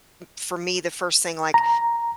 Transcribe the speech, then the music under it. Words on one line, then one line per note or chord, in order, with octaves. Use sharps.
u m for me the first thing, like,
A#5